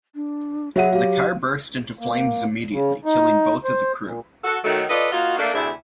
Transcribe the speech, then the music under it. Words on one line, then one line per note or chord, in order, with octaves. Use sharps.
The car burst into flames immediately, killing both of the crew.
D4
F#3 F#4 G#4 E5 F#5 D#7
F#4 G4 F5
A#3
C#3
D#4
C5
A#2
F#4 A4
D#3 F#3 A3
F4 A4 B4 D5 D#5
A#3 D#4 F4 F#4
A3 A#3 D4
D2 C3 D4 E4 G#4 E5